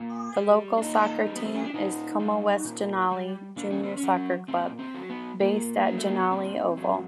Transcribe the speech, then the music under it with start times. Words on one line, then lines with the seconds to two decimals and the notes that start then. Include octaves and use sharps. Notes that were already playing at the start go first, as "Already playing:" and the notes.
The local soccer team is Como-West-Jannali Junior Soccer Club, based at Jannali Oval.
Already playing: A#2
0.36 G3
0.78 D4
0.82 A#2 D#4
1.27 G3
1.36 B3
1.45 C4
1.54 C#4
1.64 D4
1.74 A#2 D#4
2.19 G3
2.65 A#2
3.11 G3
3.56 A#2 D4
3.70 C#4
3.84 C4
3.97 C#4
4.03 F#3
4.48 A#2 C4
4.79 C4
4.94 F#3
5.10 B3
5.40 A#2 A#3
5.86 F#3
5.97 A3
6.09 A#3
6.19 B3
6.31 A#2 C4
6.77 F#3